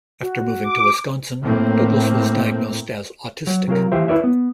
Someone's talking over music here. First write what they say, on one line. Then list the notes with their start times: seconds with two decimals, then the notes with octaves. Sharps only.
After moving to Wisconsin, Douglas was diagnosed as autistic.
0.22 F#4
0.63 D6
1.42 A2 A#3 C4
3.47 F#3
3.67 C3 F#3 F4 A#4
3.92 D#2 E3 F4 G4 C5 E5
4.08 E4 F4 B4 C#5 D5 E5
4.24 B3